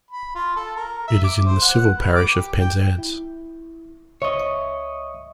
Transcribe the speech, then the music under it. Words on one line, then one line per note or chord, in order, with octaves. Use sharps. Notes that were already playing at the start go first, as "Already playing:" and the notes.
It is in the civil parish of Penzance.
B5
F4
A4
A#4
E5
D6
C5
F#5
B3
D6
G4
G5
E4
C#2 C#5 D#5 E5 C#6